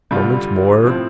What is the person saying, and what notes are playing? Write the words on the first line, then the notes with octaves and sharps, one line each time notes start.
Moment more.
G2 D3 G3 F4
A2 F3 C4